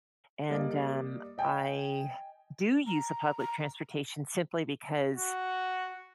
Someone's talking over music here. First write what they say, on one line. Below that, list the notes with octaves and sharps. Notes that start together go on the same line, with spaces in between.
and, um, I do use a public transportation, simply because
G3 A#3 D5 D#5
D#5 G5 G#5
A#5
A#5
F#4